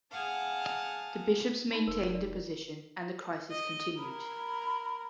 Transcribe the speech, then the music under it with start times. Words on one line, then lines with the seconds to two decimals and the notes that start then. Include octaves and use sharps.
The bishops maintained their position and the crisis continued.
0.11 G#4 F5 F#5 A5
1.73 D#4 B5 C6
1.87 F1 A#4
2.15 D5
3.51 D#5
3.99 A#4 B5